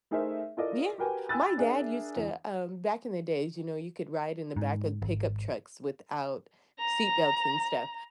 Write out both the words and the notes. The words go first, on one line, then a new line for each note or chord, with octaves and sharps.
Yeah, my dad used to, um, back in the days, you know, you could ride in the back of pickup trucks without seatbelts and stuff.
A3 D#4 G#4 A#4 C5 E5
E4 F4 A4 A#4 D5 D#5
F#4 G4 A#4 B4 G5 G#5
G5 G#5 B5 E6 F#6 A6
D4 G#4 A#4 E5
E2
G#2
G#1
A#5